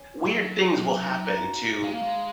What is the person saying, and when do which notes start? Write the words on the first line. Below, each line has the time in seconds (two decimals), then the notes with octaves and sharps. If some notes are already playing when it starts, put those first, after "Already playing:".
weird things will happen to
Already playing: C#4
0.25 F#3
1.04 D#4
1.43 F#4
1.82 G#3 F5
1.92 A#3
2.02 G#3